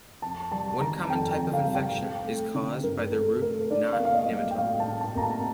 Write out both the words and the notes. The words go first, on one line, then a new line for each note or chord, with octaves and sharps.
One common type of infection is caused by the root-knot nematode.
F2 A5
G3 A5
D#3 A#5
F2 G5
G5
F2
F5
G3
G5
C4
A3
D3
G2 A#4
C4 A4
A3 A#4
D4 D5
F5
A#3
F5
D#5
G3
F5
G5
A2 F5
A5
D4
A5
A#3 A#5
A5